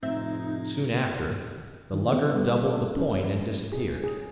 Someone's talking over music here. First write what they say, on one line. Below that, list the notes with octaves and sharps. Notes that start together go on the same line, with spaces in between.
Soon after, the lugger doubled the point and disappeared.
F1 A2 C4 D#4 E5
D#3
B3
G3
A4
C#4
G#4
G#4